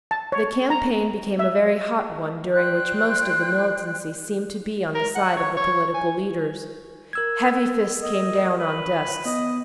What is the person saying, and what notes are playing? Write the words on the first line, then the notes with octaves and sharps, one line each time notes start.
The campaign became a very hot one during which most of the militancy seemed to be on the side of the political leaders. Heavy fists came down on desks.
A5
C#5
A#5
E5
C5 D5 G5 F#6
A#4
F#5
C#5
C#5
G#5
A#4 E6 G#6
D#5
B4
B3 D#5